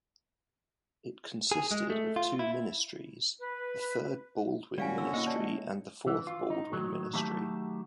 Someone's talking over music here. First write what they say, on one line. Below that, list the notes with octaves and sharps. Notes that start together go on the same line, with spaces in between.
It consisted of two ministries: the third Baldwin ministry and the fourth Baldwin ministry.
G#4
G#3
A3
F4
E4
B4
A#2 G3 C#4 F#4 D5 F5 G#5
D3 B3 E6
A#3 E4 D#5 F#5
C#5 D5 A5
G#3
E3
F4
D#4
A2 D#3 F#3
D#3 F#3 A3 G4 E5 A5